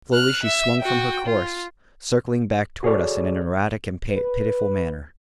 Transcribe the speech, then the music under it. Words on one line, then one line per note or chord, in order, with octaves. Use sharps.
Slowly she swung from her course, circling back toward us in an erratic and pitiful manner.
F6 F#6
E5
F#4 G5
F4
F#4 G#4 A4 C#5 D5
B4